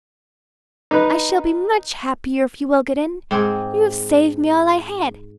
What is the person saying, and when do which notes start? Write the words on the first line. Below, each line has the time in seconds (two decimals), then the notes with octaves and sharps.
I shall be much happier if you will get in. You have saved me all I had.
0.91 D#4 B4
3.31 G#2 C4 G#4